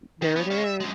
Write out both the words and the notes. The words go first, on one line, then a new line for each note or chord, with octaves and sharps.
There it is.
D#3
B3 C#5
C#5 F5
E5
F#2 G#3